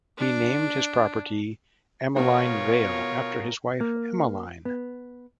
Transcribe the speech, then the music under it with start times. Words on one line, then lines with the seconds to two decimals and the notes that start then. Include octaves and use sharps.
He named his property "Emmeline Vale," after his wife Emmeline.
0.18 D4
2.16 B2 F4 A#4 C#5
3.81 A#3
4.65 B3